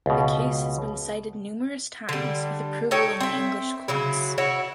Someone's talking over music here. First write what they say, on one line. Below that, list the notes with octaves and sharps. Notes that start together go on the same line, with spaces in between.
The case has been cited numerous times with approval in the English courts.
C#2 B2
D3 G3
D#4 A4 C#5 G5
C4 E5
C#3 F#3 E4
E4 F#4 C#5 E5